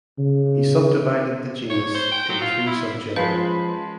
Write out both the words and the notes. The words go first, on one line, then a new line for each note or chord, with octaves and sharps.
He subdivided the genus in three subgenera.
C#3
C#5
C5
G5
F#3
F4
E4
F3 G#3 C#4 B4 F5 A5 B5 C6